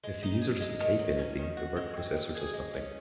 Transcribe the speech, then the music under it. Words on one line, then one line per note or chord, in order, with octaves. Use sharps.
If the user doesn't type anything, the word processor does nothing.
G#3
D#4
G#4
G#3
D#3
F#3
C#4
D#3
F#4
G#3
C4
A#2
G#4
G#3
C#4